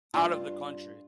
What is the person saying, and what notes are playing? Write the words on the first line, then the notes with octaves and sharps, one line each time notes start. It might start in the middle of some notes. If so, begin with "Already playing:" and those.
out of the country.
G2 D4 F4